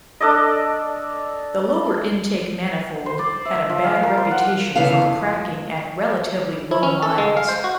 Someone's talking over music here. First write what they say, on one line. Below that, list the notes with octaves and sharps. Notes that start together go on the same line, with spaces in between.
The lower-intake manifold had a bad reputation for cracking at relatively low miles.
D4 A4 D5 D#5
C5
D5
E5
F3
F5
A#4
C5
F#5
C#3 E3 B3 E4 A4 F5
F2
E4
C#4
A4
G#3
F5
C5
F#4